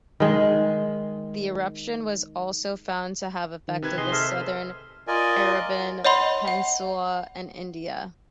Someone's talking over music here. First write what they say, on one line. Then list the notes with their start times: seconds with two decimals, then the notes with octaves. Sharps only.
The eruption was also found to have affected the southern Arabian Peninsula and India.
0.20 D#3 G#3
3.68 D#3
3.82 C3 B4 G#6
3.98 G#4 D#5 C6
4.12 A4 C5 E5 F6
5.08 F4 A#4 D5 D#5 G#5
6.05 C#5 D#5 F#5 B5 C6
6.48 F#5